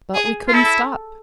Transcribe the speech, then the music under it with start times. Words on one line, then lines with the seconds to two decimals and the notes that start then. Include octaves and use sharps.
But we couldn't stop.
0.14 G#4
0.48 F4
0.54 E4 A4